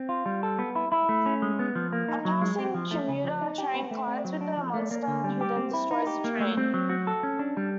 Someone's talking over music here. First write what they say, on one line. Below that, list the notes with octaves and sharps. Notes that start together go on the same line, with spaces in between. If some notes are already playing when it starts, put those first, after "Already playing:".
A passing commuter train collides with the monster, who then destroys the train.
Already playing: C4
F4
G3
A4
B3
E4
E4
A3
C#4
G#3
B3
F3
A#3
D#4
F#3
G#3
C4
F3
A3
C#3
F3
D#4
G4
B3
A3
C4
F#3
D4
F3
A3
A#3
D3
G3
G4
C4
E4
D#4
G4
A#3
A3
C4
F#3
F#4
A4
C#4
D4
G3